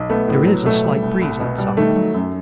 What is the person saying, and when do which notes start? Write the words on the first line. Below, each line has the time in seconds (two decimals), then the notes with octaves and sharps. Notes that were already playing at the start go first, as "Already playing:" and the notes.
There is a slight breeze outside.
Already playing: B1
0.10 A3 B3
0.28 A2
0.46 F#3
0.65 B2 A3
0.84 G3
1.02 C2
1.21 C2
1.40 B2
1.58 G3
1.77 D#3 A3
1.96 F#3
2.14 F#2